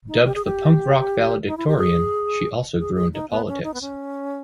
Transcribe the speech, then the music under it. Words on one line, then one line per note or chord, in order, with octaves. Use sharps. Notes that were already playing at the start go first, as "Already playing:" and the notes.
Dubbed the "punk-rock valedictorian," she also grew into politics.
D#4
G4
G#4
G4
D#4
E4
G4
G#4
G#4
G#4
D#4
B3
C#4
D#4
B3
C#4